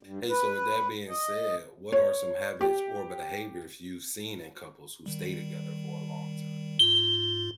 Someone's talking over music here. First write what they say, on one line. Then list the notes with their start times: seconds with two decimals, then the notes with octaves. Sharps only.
Hey, so with that being said, what are some habits or behaviors you've seen in couples who stay together for a long time?
0.03 G2
0.29 B4
1.09 D#5
1.92 C#5
2.61 G4
5.06 D#3 G3
6.79 G#2 F4 G7